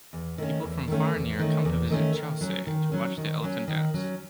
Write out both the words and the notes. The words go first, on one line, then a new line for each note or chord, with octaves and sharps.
People from far and near come to visit Kyaukse and watch the elephant dance.
E2
D#3 A3 C#4
E2
D#3 A3 C#4
E2
D#3 A3 C#4
E2
D#3 A3 C#4
D#3
F#3 C#4
D#3
F#3 C#4
D#3
F#3 C#4
D#3
F#3 C#4